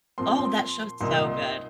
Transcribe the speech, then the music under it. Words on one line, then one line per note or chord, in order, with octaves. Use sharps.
Oh, that show's so good.
A#2 F3 C4 C6
C6
C2 A#2 A#3 D#4 C6